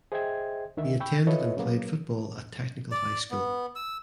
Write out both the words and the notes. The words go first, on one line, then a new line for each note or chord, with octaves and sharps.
He attended and played football at Technical High School.
G#4 C5 D#5 E5 G5 G#6
C#2 D3 D#3 D4 E5
G5 B5 C#6 E6 G6
F4 A4 B4 C#5 D#5 E5
C#3 F#3 A#3 B3
D5
B3
E6